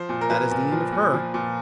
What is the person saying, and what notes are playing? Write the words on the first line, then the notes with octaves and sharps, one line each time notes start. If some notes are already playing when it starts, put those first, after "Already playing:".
That is the end of her.
Already playing: F3 C5
A#2
A#4
F3 B4
A#2
F3
A#2
F3
A#2